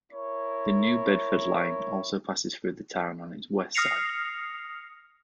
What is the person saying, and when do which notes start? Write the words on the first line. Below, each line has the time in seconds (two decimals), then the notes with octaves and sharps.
The New Bedford line also passes through the town on its west side.
0.12 E4 A#4 C#5
3.75 D#6 F6 A#6 C7 C#7 F7